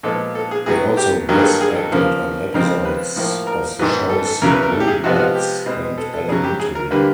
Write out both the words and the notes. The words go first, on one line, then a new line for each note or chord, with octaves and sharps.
He also guest acted on episodes of the shows "Blue Bloods" and "Elementary".
A#2 F3 G#3 B3 A4
A4
G#4
A2 F#3 B3 G#4
G4
G2 D#3 F#3 A#3
G#4
A4
G#4
A4
C#3 F3 A#3
F2 C#3 F3 G#3 C4 A#4
B4
A2 F3 A#3
A#4
G#2 D#3 F#3 B3
A4
A4
E2 C#3 F#3 A#4
B4
A#4
A4
G4
G#4
C3 F3 G#3 B3 F#4
F#4
F4
G4
B2 G#3 C4
A4
A4
F2 C#3 F#3 G#4
G4
G#4
A#4
D3 G3 A#3 B4